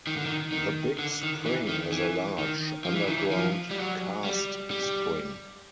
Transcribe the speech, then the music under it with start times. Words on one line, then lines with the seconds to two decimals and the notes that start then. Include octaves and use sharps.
The Big Spring is a large, underground karst spring.
0.07 D#3
0.17 D3
0.26 D#3
0.52 D#3
0.99 D3
1.23 D#3
1.46 E3
1.69 D#3
1.92 E3
2.39 D#3
2.85 F3
2.95 E3
3.07 D#3
3.18 E3
3.31 F3
3.71 G3
3.78 F#3
4.24 G3
4.71 G3